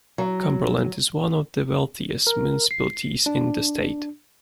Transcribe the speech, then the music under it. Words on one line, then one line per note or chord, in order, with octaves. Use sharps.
Cumberland is one of the wealthiest municipalities in the state.
F#3
A#4
C7
D4